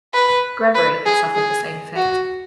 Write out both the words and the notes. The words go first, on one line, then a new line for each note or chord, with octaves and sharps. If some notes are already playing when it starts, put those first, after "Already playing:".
"Gregory" had suffered the same fate.
B4
B4
G#4
G#4
F#4